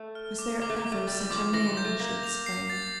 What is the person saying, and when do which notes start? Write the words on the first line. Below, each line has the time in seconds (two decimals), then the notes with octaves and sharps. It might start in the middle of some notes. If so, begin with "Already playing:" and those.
"Was there ever such a man!" she exclaimed.
Already playing: A3
0.15 F6
0.38 D6
0.62 A#3 D6
0.70 A3
0.77 A#3
0.85 D6
0.92 A3
1.07 G3 A6
1.20 E3
1.31 F3 D6
1.53 E3 A#6
1.69 F3
1.77 G6
1.85 A3
2.00 A#3 A#6
2.23 F7
2.46 C7
2.70 A6